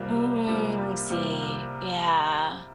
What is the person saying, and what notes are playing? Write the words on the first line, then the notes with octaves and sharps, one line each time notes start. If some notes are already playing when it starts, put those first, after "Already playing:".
Mhm, I see, yeah.
Already playing: C2 C3 G3 A#3 F4
C2
C3 G3 A#3 F4
C2
C3 G3 A#3 F4
C2